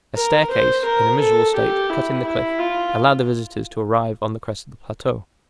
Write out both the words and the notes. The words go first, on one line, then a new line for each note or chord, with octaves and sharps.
A staircase, in a miserable state, cut in the cliff, allowed the visitors to arrive on the crest of the plateau.
A#4
C5
A#4
A4
G4
E4
E4
F4